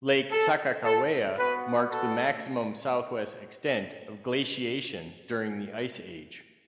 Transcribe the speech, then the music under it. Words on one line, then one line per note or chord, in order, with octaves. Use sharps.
Lake Sakakawea marks the maximum southwest extent of glaciation during the ice age.
A4
A4
B3 F#4 B4
A4